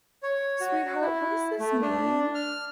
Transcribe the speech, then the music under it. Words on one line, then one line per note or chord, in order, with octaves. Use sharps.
"Sweetheart, what does this mean?"
C#5
F#4
E4
A3
D4
F6